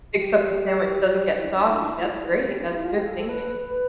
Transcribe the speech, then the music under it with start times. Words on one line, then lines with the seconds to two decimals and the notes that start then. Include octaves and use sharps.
Except the sandwich doesn't get soggy, that's great, that's good thinking.
0.16 G4
1.33 E4
1.44 D4
1.55 D4
1.63 E4
1.71 D4
1.90 E4
2.00 F4
2.10 E4
2.24 B4
2.37 B4
2.48 G4
2.59 D4
2.66 F4
2.71 E4
2.83 F4
2.94 G4
3.05 A4
3.18 A4
3.29 B4
3.64 B4